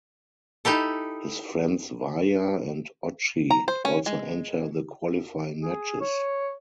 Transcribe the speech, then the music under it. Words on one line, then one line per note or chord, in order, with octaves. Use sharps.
His friends Waya and Ochi also enter the qualifying matches.
D#4 E4 G4 A4
A#5
C5
C#4
G#3
G#4
C#5